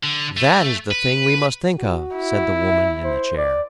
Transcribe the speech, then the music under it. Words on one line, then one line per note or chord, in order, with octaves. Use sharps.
"That is the thing we must think of," said the woman in the chair.
D3
A3
B4
F#4
E4
E5
C5
D5